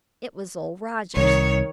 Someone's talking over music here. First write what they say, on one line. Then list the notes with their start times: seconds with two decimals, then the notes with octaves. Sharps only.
It was Old Rogers.
1.17 C2 D#3 C#5